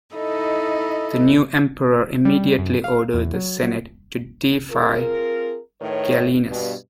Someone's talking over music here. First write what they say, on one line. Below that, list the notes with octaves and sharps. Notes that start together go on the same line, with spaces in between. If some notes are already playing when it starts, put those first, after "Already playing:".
The new Emperor immediately ordered the senate to deify Gallienus.
D#4 E4 A4 D#5 B5
G3
F#2
F5
E2
F#3
F#3
C4 F4 G#4 A#4
A2 D#3 B4 C#5
G2 B2